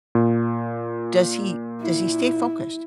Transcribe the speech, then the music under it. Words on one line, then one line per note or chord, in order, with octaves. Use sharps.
does he does he stay focused?
A#2
E4